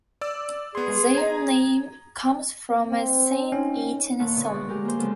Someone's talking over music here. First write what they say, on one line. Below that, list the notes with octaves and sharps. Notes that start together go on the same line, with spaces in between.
Their name comes from a Saint Etienne song.
D5 E6
B3 G#4 C6
A#5 G#6
C4
C#4 D#4
A#2 D#3 A#3 C#5 F#5 A5
B2 D3 C#6 D#6 F#6
A2
D3 F#3 G#3 G4 G#4 A#4
A#3 C5
C#3 F3 G#3 B3 F4 A4